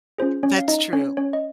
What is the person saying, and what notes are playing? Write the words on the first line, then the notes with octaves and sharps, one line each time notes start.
That's true.
C#4 F4 G#4 C5
C#4 C#5
F5
D#4 D#5
C#4 C#5
C#4 C#5
D#5